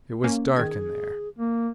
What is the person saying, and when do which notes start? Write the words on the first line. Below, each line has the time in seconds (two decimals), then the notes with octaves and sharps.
It was dark in there.
0.24 A#3 C#4
0.56 D#3 G#4 G#6
1.39 A#3